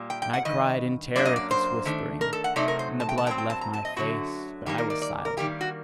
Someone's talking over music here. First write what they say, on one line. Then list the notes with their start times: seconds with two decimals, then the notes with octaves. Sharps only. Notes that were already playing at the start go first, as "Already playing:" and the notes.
And I cried in terror at this whispering, and the blood left my face: but I was silent.
Already playing: A#2 G3 A#3
0.10 G5
0.22 G5
0.33 F#5
0.45 G2 D#3 D#5
1.16 F#2 F#3 A#3 D4 D5
1.25 D#5
1.36 D5
1.51 C5
1.85 D#3 A3 D4
2.21 A#4
2.33 A4
2.44 F#5
2.56 C3 F#3 A3 D#4 D5
2.68 A#4
2.79 C5
3.00 A5
3.09 G5
3.18 A5
3.26 A#2 F#3 C4 G5
3.38 G5
3.50 A5
3.61 A#5
3.73 A5
3.85 D#5
3.96 F#2 D3 F#3 A3 C4 F#4
4.66 D#3 G3 A#3 D#4 G4
4.78 A#4
4.90 D5
5.02 D5
5.25 A#4
5.37 D#3 G3 A#3 G4
5.61 F#4